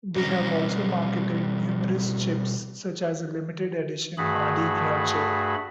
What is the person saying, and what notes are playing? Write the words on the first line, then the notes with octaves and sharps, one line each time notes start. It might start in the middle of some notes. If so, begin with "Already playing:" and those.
They have also marketed numerous chips such as a limited edition Mardi Gras chip.
B2 G3 C4 C#4 C5 A#5
G2 A3 F#4 G#4 B5